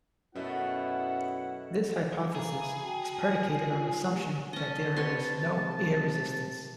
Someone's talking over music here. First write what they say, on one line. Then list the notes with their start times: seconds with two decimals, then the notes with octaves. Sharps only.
This hypothesis is predicated on the assumption that there is no air resistance.
0.35 F#2 B2 A3 B3 E4 F#5
2.35 G#4 F5 A#5 B5
2.82 F#4 G5 A5
3.58 F4
4.09 A3 G4 A#4
4.53 C#4 D#5 A5
4.96 C3 B4 C#5 C6